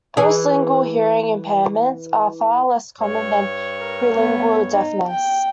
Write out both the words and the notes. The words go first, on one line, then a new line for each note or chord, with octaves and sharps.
Post-lingual hearing impairments are far less common than prelingual deafness.
E3 G#4
G2 C#5
A#4
B3
D#4
G5